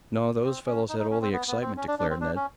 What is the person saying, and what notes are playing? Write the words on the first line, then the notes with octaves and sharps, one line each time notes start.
"No, those fellows had all the excitement," declared Ned.
C4
C#4
D#4
D#4
C#4
C4
B3
B3
C4
C#4
D4
D4
C4
D4
C#4